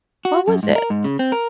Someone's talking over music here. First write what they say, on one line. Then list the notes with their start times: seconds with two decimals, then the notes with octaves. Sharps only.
What was it?
0.25 F#4
0.48 F#2
0.63 G#2
0.76 A#4
0.90 G#2
1.04 C#3
1.19 C4
1.32 A#4